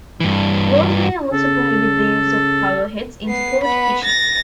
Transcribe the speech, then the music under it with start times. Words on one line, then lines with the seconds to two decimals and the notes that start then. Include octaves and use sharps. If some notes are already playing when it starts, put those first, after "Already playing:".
Laws may also prohibit the use of powerheads in sport fishing.
0.20 G2 E3
1.32 C#3 A4
3.26 B3 C7
3.64 B3 B5
4.04 A6 A#6